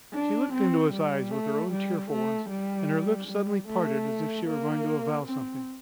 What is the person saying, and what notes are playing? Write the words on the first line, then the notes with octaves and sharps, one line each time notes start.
She looked into his eyes with her own tearful ones, and her lips suddenly parted as if she were going to avow something.
D4
C4
G3
A3
G3
A3
G3
G3
A3
A#3
C4